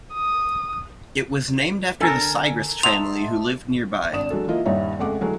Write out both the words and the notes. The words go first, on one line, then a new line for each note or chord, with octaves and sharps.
It was named after the Siegrist family who lived nearby.
D#6
D3 A4 A#4 G#5
D#5 E5 F#5 A5 C6 F7
G#1 D4 D5 D#6 E7
F#3 G#3 D4 F#4 A4
F3 A#3 E4 F4 D#5
D#1 G2 G3 D#4 C#5 E5
F2 C#3 G#3 A3 F#5 D6
D3 E3 F#3 G#3 A3 F#4